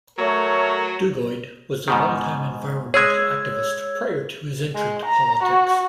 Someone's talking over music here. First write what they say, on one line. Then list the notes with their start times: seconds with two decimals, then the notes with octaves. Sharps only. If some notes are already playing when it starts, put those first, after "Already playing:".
Duguid was a long-time environmental activist prior to his entry to politics.
0.18 F#3 A3 A#4 C#5
1.88 G#2 B2 D#3
2.94 G#3 G#4 C#5 E6 G#6
4.75 G#3
5.06 A#5
5.43 F#4